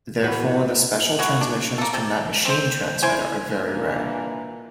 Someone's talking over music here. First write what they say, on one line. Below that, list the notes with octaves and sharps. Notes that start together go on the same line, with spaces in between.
Therefore the special transmissions from that machine transmitter are very rare.
E2 F#4 B4
G#3 E4 F#4
D4
A#3 A4
C3 A4
C4 C5
E4 C5 G#5
A#2 E3 A#3 D4